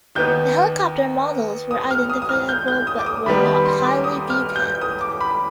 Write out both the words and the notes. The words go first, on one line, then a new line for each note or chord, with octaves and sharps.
The helicopter models were identifiable but were not highly detailed.
D#2 D#3 B3 G6
D#6
F6
D#6
D#6
F6
G6
G6
D#6
D6
D#6
D#2 D#3 G3 B3 B5
B5
C6
D6
D#6
F6
G6
D#6
D6
B5